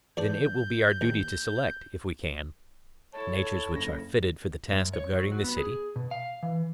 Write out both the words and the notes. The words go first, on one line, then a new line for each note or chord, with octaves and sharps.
Then it will be our duty to select, if we can, natures which are fitted for the task of guarding the city?
E2 D4 D5 G6
D#2
E4 A4 C#5 A5
F#1 A#6
F#2
C#5
F#3
F#4
B3
G#4
B2
F5
E3